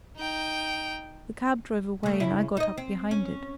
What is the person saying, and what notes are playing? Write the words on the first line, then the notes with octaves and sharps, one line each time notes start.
The cab drove away, and I got up behind it.
D#4 G5
C#3 A3
C#3 E4
D#4 D#5
C4
C#4